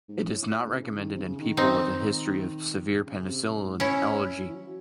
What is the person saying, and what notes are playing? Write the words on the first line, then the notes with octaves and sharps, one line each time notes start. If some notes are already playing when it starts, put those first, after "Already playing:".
It is not recommended in people with a history of a severe penicillin allergy.
G#2
A2
A2
C#3
C#3
E3
D#3
C3
C#3
D#3
C4 D#4
C#3
C3
F#2
G#2
A2 C#4 E4
E3
F#3